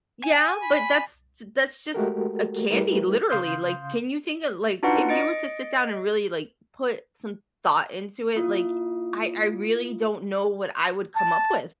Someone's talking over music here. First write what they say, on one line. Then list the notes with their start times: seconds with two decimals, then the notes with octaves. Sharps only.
Yeah. But, that's t that's just a candy, literally, like, can you think of like, if you were to sit down and really, like, put some thought into it, like, I I really don't know what I would come up with.
0.24 G#5
0.63 B5
1.94 G#3 A3 F#4 G4 A4 A#4
2.70 G3 A3 E4 G4 A#4 B4
3.30 C#3 F5 C6 D#6 G6
4.83 D4 D#4 F4 F#4 B4 F#5
5.09 D#5 A6 C#7 D7
8.35 A#3 E4 F4 D#6
11.15 A5